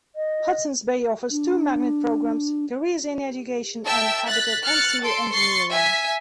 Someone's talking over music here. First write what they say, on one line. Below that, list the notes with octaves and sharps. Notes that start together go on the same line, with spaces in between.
Hudson's Bay offers two magnet programs-Careers in Education, and Habitat and Civil Engineering.
D#5
D4
E5 G5 A5 E6
F#6 A6 B6
F6 F#6 A6 C#7
A4 C6 D7
C6 C#6 A6 C7 C#7
E5 G#5 B6